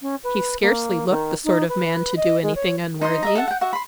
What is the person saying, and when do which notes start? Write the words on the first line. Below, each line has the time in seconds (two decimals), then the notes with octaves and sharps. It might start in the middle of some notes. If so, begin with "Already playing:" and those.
He scarcely looked the sort of man to do anything unworthy.
0.01 C#4
0.24 B4
0.62 A#3
1.10 D#3
1.44 D#4
1.69 B4
2.16 D#5
2.43 G#3
2.55 C#5
3.01 D#4 C5 D#5 C6
3.23 D#5 E5 A#5
3.35 A4 E5 F#5 A5
3.47 F#5 G5
3.61 F#4 E5 F#5
3.73 B5 C6